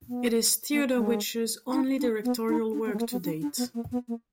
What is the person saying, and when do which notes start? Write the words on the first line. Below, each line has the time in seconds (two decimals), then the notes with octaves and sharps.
It is Theodore Witcher's only directorial work to date.
0.08 B3
0.72 A#3
0.97 G#3
1.73 D#4
1.98 D4
2.24 B3
2.49 D#4
2.73 D4
2.86 B3
2.93 G#3
2.99 A#3
3.11 B3
3.24 D4
3.42 D4
3.58 B3
3.74 A#3
3.92 B3
4.08 A#3